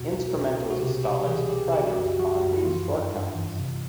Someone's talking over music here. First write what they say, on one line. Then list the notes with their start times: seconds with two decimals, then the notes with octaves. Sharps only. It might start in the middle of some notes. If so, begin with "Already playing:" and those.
Instrumentalist scholars have tried to respond to these shortcomings.
Already playing: E2 B2 F#4
0.10 C2
0.33 C2
0.56 B2
0.70 F#4
0.80 C3 G4
1.03 C2 G4
1.26 E3 G#4
1.49 C2 G4
1.72 C#3 G4
1.80 F#4
1.87 G4
1.96 F#2
2.19 F3 F#4
2.42 F#2
2.56 E4
2.65 E3 F4
2.88 G2
3.12 G2
3.35 E3
3.58 C3